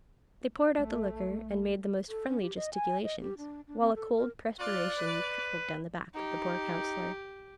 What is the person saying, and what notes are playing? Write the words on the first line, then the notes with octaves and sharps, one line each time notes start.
They poured out the liquor, and made the most friendly gesticulations; while a cold perspiration trickled down the back of the poor Councillor.
A#1 A3
A4
C#4
G4
D#5
G#5
D#5
G4
D4
D4
C4
A4
A#4
F4 D5 F#6
B4
D#4 G4